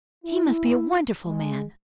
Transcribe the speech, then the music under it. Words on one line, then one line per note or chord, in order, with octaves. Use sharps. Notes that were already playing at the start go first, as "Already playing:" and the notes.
"He must be a wonderful man."
E4
G#3